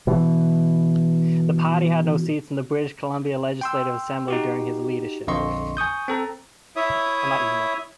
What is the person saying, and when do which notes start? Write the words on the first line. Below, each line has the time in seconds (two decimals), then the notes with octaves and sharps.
The party had no seats in the British Columbia Legislative Assembly during his leadership.
0.07 B2 E3
3.61 G5 C6 E6
4.28 D#4 F#4 G4
5.27 A#1 F2 D3 D#5 C6 C#6
5.77 G#5 C#6 D#6 G6
6.08 C4 A4 A#5
6.76 E4 C#5 E5 D#6